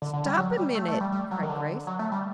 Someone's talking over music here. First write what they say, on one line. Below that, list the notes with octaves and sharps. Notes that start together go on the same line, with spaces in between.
"Stop a minute!" cried Grace.
D3
D3
G3
F#3
G3
A3
A3
G3
G3
F#3
D#3
D3
F#3
A3
G3